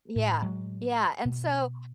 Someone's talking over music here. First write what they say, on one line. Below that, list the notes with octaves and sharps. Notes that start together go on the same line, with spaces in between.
yeah, yeah, and so
A2
F#3 G#3
B2